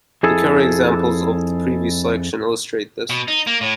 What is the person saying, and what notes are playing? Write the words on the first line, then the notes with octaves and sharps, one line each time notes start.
The Curry examples of the previous section illustrate this.
F2 E4 G#4 A4
B2
D#4
A#3
A2